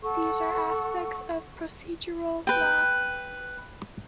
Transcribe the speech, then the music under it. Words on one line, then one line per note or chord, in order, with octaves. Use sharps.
These are aspects of procedural law.
A4 F#5 C#6
B4 G5